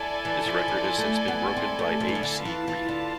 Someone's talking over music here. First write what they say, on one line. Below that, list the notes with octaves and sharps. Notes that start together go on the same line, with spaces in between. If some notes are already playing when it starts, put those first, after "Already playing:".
This record has since been broken by A. C. Green.
Already playing: E4 A4 D5 G#5
E3
F3
F3
A3
B3
C4
A3
F3
E3
F3
D3
E3 F4 B4 F5 A5
E3
D3